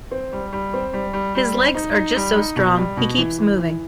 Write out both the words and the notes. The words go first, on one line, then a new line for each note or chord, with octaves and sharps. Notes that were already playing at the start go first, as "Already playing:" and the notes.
His legs are just so strong he keeps moving.
C4
G3
G3
C4
G3
G3
G3
C4
D#4
D#4
G3
D#4
B2
G3
B2
E3
E3
E3